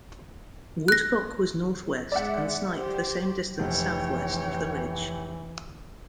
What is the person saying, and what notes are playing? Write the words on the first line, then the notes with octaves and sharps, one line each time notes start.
Woodcock was north-west and Snipe the same distance south-west of the ridge.
F#6 A#6
G#3 D5 E5 F#5
G4 C5
F1 E3 C#5 G5